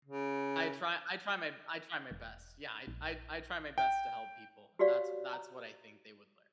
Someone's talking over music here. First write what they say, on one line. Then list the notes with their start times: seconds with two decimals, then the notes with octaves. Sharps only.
I try I try my I try my best. Yeah. I I I try my best to help people. That's that's what I think they would learn.
0.05 C#3
2.11 E1
2.87 A#1
3.78 G5
4.79 F#4 G4 C#5 D5 F5 F#5
5.33 A#5